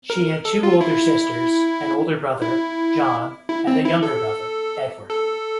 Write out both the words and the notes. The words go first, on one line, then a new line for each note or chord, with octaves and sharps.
She had two older sisters, an older brother, John, and a younger brother, Edward.
A#4
A4
F4
E4
E4
E4
C4
E4
A4
A4